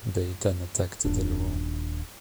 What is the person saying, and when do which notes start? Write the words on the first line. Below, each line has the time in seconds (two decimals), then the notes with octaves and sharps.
They then attacked the Luo.
1.05 D#1 D4